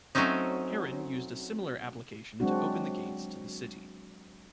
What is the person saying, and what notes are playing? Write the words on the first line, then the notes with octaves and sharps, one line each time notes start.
Heron used a similar application to open the gates to the city.
F#3 A3 C4 C#4 D#4
F#3 G#3 C4 D4 F#4